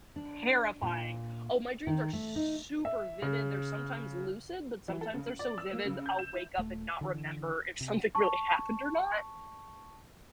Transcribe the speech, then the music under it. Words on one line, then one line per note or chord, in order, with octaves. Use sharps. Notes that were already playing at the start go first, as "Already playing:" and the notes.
terrifying. Oh, my dreams are super vivid they're sometimes lucid, but sometimes they're so vivid, I'll wake up and not remember if something really happened or not.
D4
A#2
D#3
A3
D#4
E5
C#3
E3
A4
C#3
F#7
D5
E6
A#3
C#3
G6
E7
E4
D#1 A3
D3 E3
C3
A5 C#6